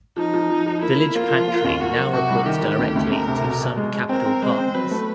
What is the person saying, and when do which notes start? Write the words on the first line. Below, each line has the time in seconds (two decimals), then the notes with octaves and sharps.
Village Pantry now reports directly to Sun Capital Partners.
0.17 F3 D#4
0.34 F3
0.50 F3
0.66 F3
0.82 A#3 E4
0.99 A#3
1.15 A#3 F4
1.31 F3
1.48 A#3
1.64 D#2
1.81 A#3 F#4
1.98 F#3
2.13 C3 F#4
2.30 C2
2.46 D#3 G4
2.62 D#3
2.79 D2
2.96 D2
3.11 D2 A#4
3.28 C3
3.44 B2
3.60 B2
3.77 G#3
3.93 G#3
4.09 C4 A#4
4.26 C4
4.42 G#3 C5
4.58 C4
4.75 F#3 B4
4.91 A3